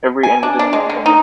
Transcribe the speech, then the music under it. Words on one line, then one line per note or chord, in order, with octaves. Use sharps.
Every end is a new beginning.
G#5
D4
D4
G#3
D3
D#4